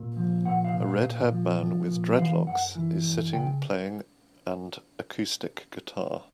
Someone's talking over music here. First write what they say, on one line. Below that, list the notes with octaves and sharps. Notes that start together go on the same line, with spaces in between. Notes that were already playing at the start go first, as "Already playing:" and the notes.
A redhaired man with dreadlocks is sitting playing and acoustic guitar.
Already playing: A#2
F3
A#2 F#5
F5
A#2
F5
A#2
F3
F3
A#2
E3 F5
F#2 F#5
E3
F#2
C#3 G5